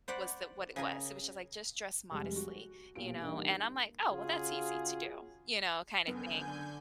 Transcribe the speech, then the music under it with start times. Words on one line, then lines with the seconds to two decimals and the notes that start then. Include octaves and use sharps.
was tha what it was, it was just, like, just dress modestly, you know, and I'm like, "Oh, well, that's easy to do," you know, kinda thing.
0.08 C5 D5 F#5 B5
0.76 C#3 G#4 A#4 G#5
2.11 F1 G3 G#3
2.36 F#4
2.95 B1 A#2 G4 D7
3.20 E3 G3 A#3 D4 D#4
4.10 C#3 F4 F#4 G#4
6.07 F#1 D3 B3 G#5 G6